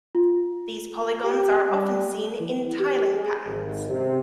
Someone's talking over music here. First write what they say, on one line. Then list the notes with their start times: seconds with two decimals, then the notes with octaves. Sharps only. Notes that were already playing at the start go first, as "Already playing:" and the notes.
These polygons are often seen in tiling patterns.
0.15 F4
1.24 G4
1.71 G3
2.40 E3
2.79 G4
3.13 G#4
3.46 G#1
3.89 C3